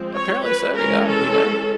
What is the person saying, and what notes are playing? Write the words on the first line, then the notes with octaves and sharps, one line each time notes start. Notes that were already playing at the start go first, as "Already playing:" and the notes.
Apparently so, yeah, you know,
Already playing: F3 G#3 C4
C#5
B4
E3 G#3 C#4 A#4
A4